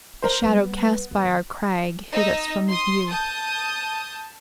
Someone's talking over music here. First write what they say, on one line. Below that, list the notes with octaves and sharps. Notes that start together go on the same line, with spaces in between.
A shadow cast by our crag hid us from his view.
A#4 C5
G3 A#3 B3
A#3
D#3
D#4 D#5 E6
C6 D#6
A5 D#6 G6